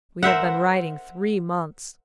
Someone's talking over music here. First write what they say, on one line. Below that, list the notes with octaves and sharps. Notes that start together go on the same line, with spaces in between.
We have been riding three months.
A#4 C5 E5 F#5